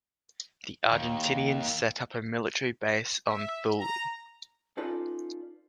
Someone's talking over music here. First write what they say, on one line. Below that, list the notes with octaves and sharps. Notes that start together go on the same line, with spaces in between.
The Argentinians set up a military base on Thule.
D#2
E5
A#5
C#4 D#4 F4 A4 B4 D5